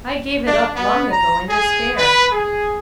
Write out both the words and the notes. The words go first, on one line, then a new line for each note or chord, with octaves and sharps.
"I gave it up long ago in despair."
D4
B3
A#5
G#4
B4
G#4